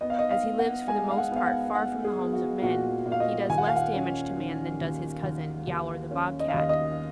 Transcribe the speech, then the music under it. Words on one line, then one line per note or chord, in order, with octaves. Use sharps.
As he lives for the most part far from the homes of men, he does less damage to man than does his cousin, Yowler the Bob Cat.
B3 D#5
F5
D#5
F5
B3
F#5
G#3 G#5
F5
F#5
B3
F5
F#5
B3 F#5
G#4
B3
F#4
A#2 F#4
A#2
F5
D#5
D#2 G#5
F#5
F5
F#5
C#4
D#3
D#2
D#2
D#2
C#4
D#5
F5
D#2 D#5
D#5